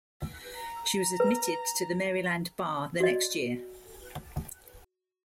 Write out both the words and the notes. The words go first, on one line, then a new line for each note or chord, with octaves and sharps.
She was admitted to the Maryland bar the next year.
A#5
B4
F#4 D5 D#5